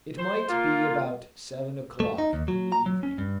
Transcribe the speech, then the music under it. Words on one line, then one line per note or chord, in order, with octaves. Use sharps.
It might be about seven o'clock in the evening.
C5
A#3 F4
A3
D#4
D#2
F#3
A#5
F#3
C#4
G2